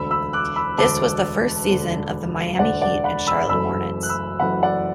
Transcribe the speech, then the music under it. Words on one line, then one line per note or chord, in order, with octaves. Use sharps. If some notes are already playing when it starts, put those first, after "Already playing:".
This was the first season of the Miami Heat and Charlotte Hornets.
Already playing: E1 D2 D3 B5 E6
B5 E6
D6 F#6
B5 E6
E1 D2 D3 A5 D6
E1 D2 D3
E1 D2 D3 D5 F#5
D5 F#5
F#5 B5
B5 E6
F#1 F#2 E3 A3 B5 E6
F#6
B5 E6
F#1 F#2 E3 A3 F#5 B5
D5 F#5